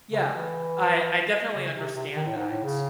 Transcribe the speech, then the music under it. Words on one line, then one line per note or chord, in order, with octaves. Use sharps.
Yeah, I I definitely understand that.
C#3
E3
C#3
C3
C3
D#3
A2
G#2
A2
C#3